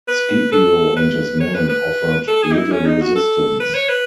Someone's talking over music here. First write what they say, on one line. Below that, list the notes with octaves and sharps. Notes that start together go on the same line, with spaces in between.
Scipio and his men offered little resistance.
B4
A4
B4
C#5
B4
B4
A4
G#4
D#4
E4
C#4
D#4
F#4
A4
B4
C#5
B4